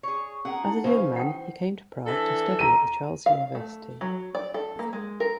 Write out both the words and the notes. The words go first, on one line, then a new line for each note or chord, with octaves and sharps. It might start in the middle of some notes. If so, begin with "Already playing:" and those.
As a young man he came to Prague to study at the Charles University.
G#4 C#5
C#4 G#4 A#4 F#5
D#4 E4
C#3 E3 C4 C#4 C5 F5
F#5 G5
E3 D4 A4
A#5 D#7
F5
A3
F#3
D5
A4
A#3
G#3
A#4